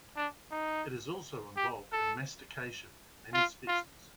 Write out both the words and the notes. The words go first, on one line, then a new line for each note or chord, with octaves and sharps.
It is also involved in mastication in many species.
D4
D#4
G4
A4
F4
F4